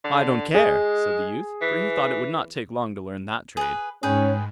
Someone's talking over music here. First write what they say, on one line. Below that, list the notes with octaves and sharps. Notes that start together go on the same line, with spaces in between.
'I don't care', said the youth, for he thought it would not take long to learn that trade.
D3
G#3 G#4
E3
G#4 B4
G#2 C#4 G#4 B4 G5